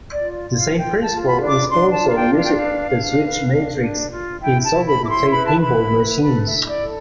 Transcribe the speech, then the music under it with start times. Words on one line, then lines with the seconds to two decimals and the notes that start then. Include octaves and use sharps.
The same principle is also used for the switch matrix in solid-state pinball machines.
0.12 D5
0.20 F4
0.50 F4
0.57 F5
0.79 F4 G5
1.02 A5
1.10 F4
1.26 B5
1.41 D4
1.48 D6
1.70 D4 C6
1.92 A5
2.01 F4
2.09 F5
2.15 G5
2.30 D4
2.38 F5
2.46 G5
2.55 F5
2.60 B4
2.91 D4
3.21 B4
3.51 D4
3.81 D4
4.12 F4
4.41 E4 G5
4.65 A5
4.72 E4
4.86 B5
5.01 E4 D6
5.09 C6
5.32 B4 B5
5.46 A5
5.60 E4 B5
5.93 B4
6.22 A4 B5
6.46 E5
6.53 E4
6.68 D5
6.83 A4